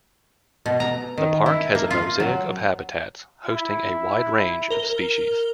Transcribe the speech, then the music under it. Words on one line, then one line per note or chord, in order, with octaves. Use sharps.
The Park has a mosaic of habitats, hosting a wide range of species.
B2
A#5
D#3
E4
A#3
F4
F#3
E4
A#4 G7